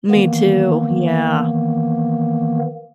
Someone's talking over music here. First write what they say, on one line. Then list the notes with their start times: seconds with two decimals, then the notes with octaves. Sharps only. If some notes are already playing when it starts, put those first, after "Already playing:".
Me too, yeah.
0.10 D#3 E3 A#3 B3